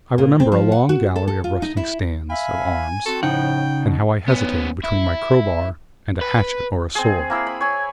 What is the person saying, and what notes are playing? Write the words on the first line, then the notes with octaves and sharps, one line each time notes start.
I remember a long gallery of rusting stands of arms, and how I hesitated between my crowbar and a hatchet or a sword.
A#2
C4
F3
F#5
F#4
A4
A4
F4
D#4
E4
E5 F5 G#5 B5
C4 F#4 A4
A2 C#3 F3 D#4 F#5 G5
B2
B3 C#4
E4
B4
C4 G#4
A#3 E4 E6
B5
C#5 G#5